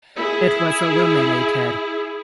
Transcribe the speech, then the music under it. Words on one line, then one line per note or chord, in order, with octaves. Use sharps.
It was illuminated.
E4 G#4